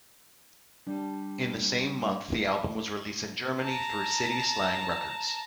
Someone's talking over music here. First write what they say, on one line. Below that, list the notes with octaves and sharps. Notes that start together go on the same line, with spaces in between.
In the same month the album was released in Germany through City Slang Records.
G3 D4
A5 A#5